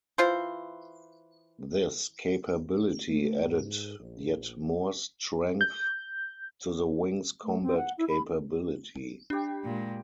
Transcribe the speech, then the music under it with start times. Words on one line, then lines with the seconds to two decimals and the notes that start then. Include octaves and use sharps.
This capability added yet more strength to the wing's combat capability.
0.18 E3 F4 C5
3.09 A3
3.44 G#2
3.99 A#1
5.61 G6
7.44 A3
7.62 C4
7.77 F#5
7.98 E4
8.09 B5
9.30 G3 D4 G4
9.64 A#2 G#3